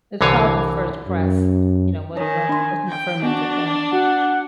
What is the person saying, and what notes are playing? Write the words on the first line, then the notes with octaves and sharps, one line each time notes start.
It was probably first press. You know, where don't it's not fermented, yeah.
C2 D3 E3 C#5 F5 G#5
F#2
D#3 C#5 G#5
D4 C6
G5
B3 D4 F#4
F#4 F#5